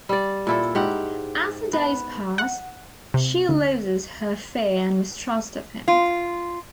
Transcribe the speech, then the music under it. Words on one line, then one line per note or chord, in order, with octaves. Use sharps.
As the days pass, she loses her fear and mistrust of him.
G3 D5
A#2 E4 A4
G#2 G4 F#5
B3
F#5
C3
D2
F4